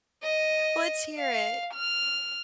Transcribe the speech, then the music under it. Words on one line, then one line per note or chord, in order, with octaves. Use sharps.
Let's hear it.
D#5
F5
F6